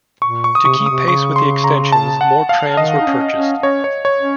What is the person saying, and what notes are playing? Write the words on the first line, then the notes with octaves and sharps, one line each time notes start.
To keep pace with the extensions more trams were purchased.
A#2 C#6
C#6
D#6
C3 C#6
C#3
C3 D#6
C#3 C#6
C6
A#5
A5
F#5
F5
D#3 D#5
D#4
C#4
C#4
C#4 C#5
C#5
C#5
C#4